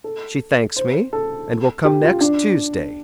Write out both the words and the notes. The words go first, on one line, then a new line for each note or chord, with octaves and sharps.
She thanks me, and will come next Tuesday.
A4
C5
A4
G4
F4
D4